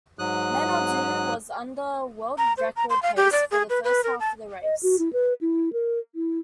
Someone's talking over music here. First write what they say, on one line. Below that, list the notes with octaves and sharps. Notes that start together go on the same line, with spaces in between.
Manaudou was under world record pace for the first half of the race.
G#2 F#3 D#6 F#6
A#5
C5
A#5
C6
F5
G4
D5
G#4
B4
B4
A#4
A5
D#5
F#4
E4
B4
E4
A#4
E4